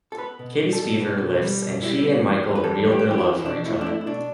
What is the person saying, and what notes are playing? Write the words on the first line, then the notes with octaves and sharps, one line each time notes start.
Katie's fever lifts and she and Michael reveal their love for each other.
A4
B3 B4
B2
G3
A4
B2
B3
B2
G3
B2
G3 E4
B3
E3
E2
B4
G3 A4
B3
G4
E3
G4
E4
E2
E4
B2 D4
A3 E4
D4
A3 E4
E4
B2 D4